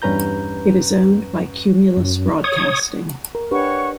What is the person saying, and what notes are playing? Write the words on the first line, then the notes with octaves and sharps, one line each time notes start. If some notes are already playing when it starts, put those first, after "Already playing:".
It is owned by Cumulus Broadcasting.
E2 G2 C#4 B4 A#5 G6
F#2
C#5 D#6
A#4
D4 G4 B4 C#5 F#5 C#6